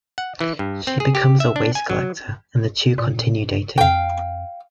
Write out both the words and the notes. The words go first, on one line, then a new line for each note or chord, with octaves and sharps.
She becomes a waste collector and the two continue dating.
F#5
E3
G2
C4
G#4
G4
E5
D4
G#5
F#3
A#2
F2 F5 G5